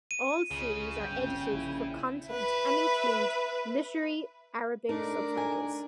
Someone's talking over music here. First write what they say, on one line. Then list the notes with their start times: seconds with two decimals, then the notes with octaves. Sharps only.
All series are edited for content and include Literary Arabic subtitles.
0.11 D#7
0.51 C#2 C#3 G#3
0.98 G1 G5
1.52 A#1 E4
2.29 B4 E5
4.89 A3 D4 D#4 A#4
5.35 A4 G#5